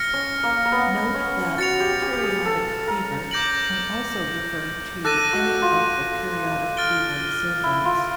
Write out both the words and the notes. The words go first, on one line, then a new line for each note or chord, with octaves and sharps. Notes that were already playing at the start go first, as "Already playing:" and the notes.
Note that "periodic fever" can also refer to any of the periodic fever syndromes.
Already playing: F6 A#6 C#7
C#4
A#3
A#3
B3
C#4
F#4 A6 C#7 F7
G4
G4
G4
G#4
A4
A#4
D6 G6 A#6 D7 F#7
A4 D6 F#6 A#6 D#7
F#4
F4
F6 A6 D7 G7
E4
F4